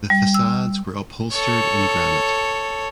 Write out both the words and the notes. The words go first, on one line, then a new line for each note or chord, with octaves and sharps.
The facades were upholstered in granite.
G3
E6
A4 C#5